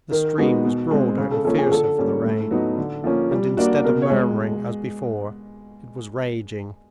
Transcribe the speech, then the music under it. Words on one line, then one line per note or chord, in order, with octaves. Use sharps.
The stream was broader and fiercer for the rain, and instead of murmuring as before, it was raging.
D#3 A#4
G#3 B3 D#4 F#4
B2
G#3 C4
C#3
A4
F3 A#3 C#4 A4
G#4
D3 A4
G3 A#3 C#4
A2
F#3 B3 D#4
D3
F3 A#3 C#4
G3
A#3 D4 F#4
B2 A#4
C#5
G#3